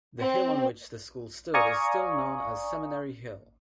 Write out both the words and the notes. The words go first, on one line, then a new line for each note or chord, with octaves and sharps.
The hill on which the school stood is still known as Seminary Hill.
C4
D5 F5 G#5 A#5 C#6 D#6